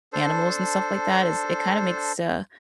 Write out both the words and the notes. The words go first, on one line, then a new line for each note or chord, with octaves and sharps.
animals and stuff like that is it kind of makes, uh,
D4 A4 C5